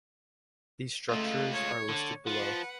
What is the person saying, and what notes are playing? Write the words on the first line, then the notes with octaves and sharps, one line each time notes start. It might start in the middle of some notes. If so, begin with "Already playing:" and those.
These structures are listed below.
G#3 A3 F4
C#5
D3
F3 B4 F#5